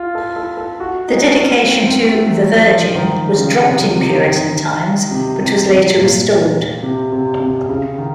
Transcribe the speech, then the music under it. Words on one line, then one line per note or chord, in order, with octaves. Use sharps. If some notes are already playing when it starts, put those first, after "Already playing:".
The dedication to "-the-Virgin" was dropped in Puritan times but was later restored.
Already playing: F4
A4
A4
A4
F#4
D#4
C#4
C4
C4
A3
F#3
F3
D#3
C#3
C3
C3
D#3
C3
C3
C3
C3
A#2
C3
C3
C3
C#3
D#3